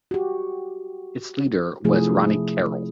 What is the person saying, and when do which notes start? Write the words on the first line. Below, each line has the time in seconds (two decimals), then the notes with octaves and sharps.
Its leader was Ronnie Carroll.
0.11 F#4 G4
1.85 C3 F3 A3 E4 G#4